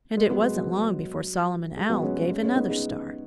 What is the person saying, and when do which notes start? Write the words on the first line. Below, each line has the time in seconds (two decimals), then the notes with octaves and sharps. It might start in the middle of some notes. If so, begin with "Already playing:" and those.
And it wasn't long before Solomon Owl gave another start.
0.17 G#3
0.30 F#3 B3
0.44 G#3
0.56 F#3
1.77 G#3
1.90 F#3 B3
2.03 G#3 C#4
2.17 G#3
2.29 G#3 C#4
2.43 G#3 C#4
2.56 B3 D#4
2.69 D#4 G#4